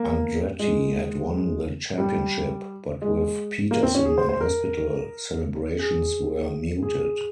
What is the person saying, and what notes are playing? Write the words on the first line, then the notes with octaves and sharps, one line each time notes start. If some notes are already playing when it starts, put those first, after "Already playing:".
Andretti had won the championship, but with Peterson in hospital, celebrations were muted.
Already playing: A#3
G#3
G3
G#3
A#3
C4
C#4
G#4
C5
C5
A#4
G#4
G#4